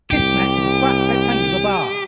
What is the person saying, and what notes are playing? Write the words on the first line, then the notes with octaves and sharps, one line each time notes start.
Kismet is a flat, rectangular bar.
C2 G4